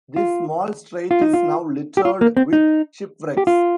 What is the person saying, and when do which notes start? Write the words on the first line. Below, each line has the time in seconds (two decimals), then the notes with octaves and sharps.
This small strait is now littered with shipwrecks.
0.16 F4
1.11 F4
1.22 D#4
1.34 F4
1.97 G4
2.05 F4
2.21 A#3
2.37 C4
2.53 D#4
3.37 G4
3.47 F4